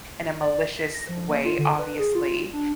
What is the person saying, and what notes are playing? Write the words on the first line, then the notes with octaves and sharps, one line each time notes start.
in a malicious way, obviously."
D5
B6
A#6
F3
A#3
F4
D3
B4
G#4
F4
D4